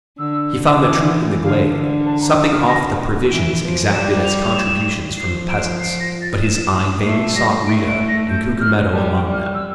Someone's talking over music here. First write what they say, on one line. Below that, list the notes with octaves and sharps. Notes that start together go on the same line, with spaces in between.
He found the troop in the glade, supping off the provisions exacted as contributions from the peasants; but his eye vainly sought Rita and Cucumetto among them.
D3 E6
E3 D6
D3 F5
D3
A5
A#5
E6
F6
A#6
E3 D7
F3
G3 E7
F7
F7
E7
F3 C7
D7
C7
A#6
A6
E7
E7
A3 C7
G3 A#6
A3 D7
D7
A#6
G6
F6
G3 A5
G5
G3
F6
E6